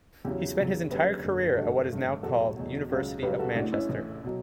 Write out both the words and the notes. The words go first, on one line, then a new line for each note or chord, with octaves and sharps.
He spent his entire career at what is now called University of Manchester.
E2 C#3 F#3 E4 G4
E2 C#3 F#3
F#1 F#2 D3 G4 B4
F#1 F#2 D3
G4
A1 G2 D3 F#4 A4
A1 G2 D3
E2 B2 F#3 F#4 A4
E2 B2 F#3
C#2 C#3 F#3
C#2 C#3 F#3 G4 B4
F#4 A4
A1 A2 E3 D4 F#4
C#4 E4
A1 A2 E3
B2 F#3